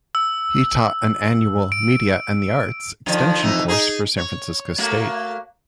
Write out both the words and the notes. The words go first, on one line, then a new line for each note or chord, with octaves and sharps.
He taught an annual "Media and the Arts" extension course for San Francisco State.
E6
D7
D3 D#3 F3
F2 E3 D#4
D#4 G#4
C#5
A3 A#3 F#4